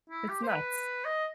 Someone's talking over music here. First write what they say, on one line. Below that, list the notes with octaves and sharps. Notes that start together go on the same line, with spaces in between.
it's nuts.
E4
G4
C5
B4
D#5